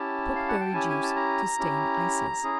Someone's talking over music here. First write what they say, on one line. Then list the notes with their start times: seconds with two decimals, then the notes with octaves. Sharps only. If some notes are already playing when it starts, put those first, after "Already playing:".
Pokeberry Juice to Stain Ices.
Already playing: C#4 E4 G4 A5
0.36 F5
0.48 F#5
0.61 G5
0.73 C#4 E4 G4 G#5
0.89 G#5
1.03 A5
1.16 A#5
1.59 C#4 E4 G4
2.44 C#4 E4 G#4